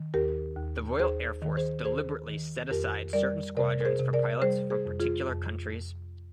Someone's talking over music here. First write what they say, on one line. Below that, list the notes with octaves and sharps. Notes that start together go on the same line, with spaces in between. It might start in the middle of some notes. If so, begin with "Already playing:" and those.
The Royal Air Force deliberately set aside certain squadrons for pilots from particular countries.
Already playing: D#3
D#2 G4 A#4
D#2
D#2 G#4 C5
D#3
G#4 C5
D#2 G#4 C5
D#3
F2 G4 A#4
G3 A#4 D5
C3 A#4 D5
A#4
G#4 C5
C3
A#4 D5
G3 G#4 C5
G#4 C5
F2
F4 G#4
F2
F2